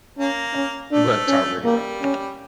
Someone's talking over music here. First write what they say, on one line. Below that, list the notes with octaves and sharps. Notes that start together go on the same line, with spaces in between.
It worked out really well.
A#3 C#4
C#4
A3 D4
C#4
G3 A#3
C#4